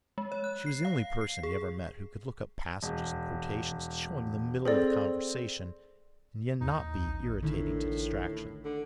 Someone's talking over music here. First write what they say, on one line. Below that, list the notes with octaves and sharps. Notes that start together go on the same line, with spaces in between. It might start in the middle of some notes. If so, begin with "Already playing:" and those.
She was the only person he ever met who could look up passages and quotations to show him in the middle of the conversation, and yet not be irritating to distraction.
G#3
C#5
F#6
C7
F5
C7
G#4
E1
C4 G#4 A4 D5
D#2 D#4
A1
A2 D3 D#3
D3